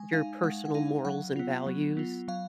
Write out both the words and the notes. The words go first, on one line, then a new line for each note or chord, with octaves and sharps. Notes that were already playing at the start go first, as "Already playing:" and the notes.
your personal morals and values,
Already playing: G#3 G#5
D#4 F5
G#3 F#5
F#5
D#4 F5
F#3 F#5
B3 F4
F#3
B3 F4
F#3 F5